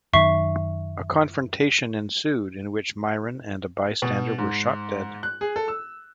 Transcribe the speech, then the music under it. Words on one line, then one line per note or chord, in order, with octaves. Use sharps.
A confrontation ensued in which Myron and a bystander were shot dead.
F#2 D#3 E5 C#6 C7
B2
G#2
F#6
G#4
A4
E6